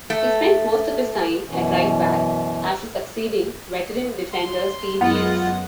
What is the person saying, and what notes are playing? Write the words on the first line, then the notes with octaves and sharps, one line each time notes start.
He spent most of his time at right-back, after succeeding veteran defender Steve Yates.
A3
F#2 B2 E3 C#4
C6
F#2 G#3 B3 F4 F#5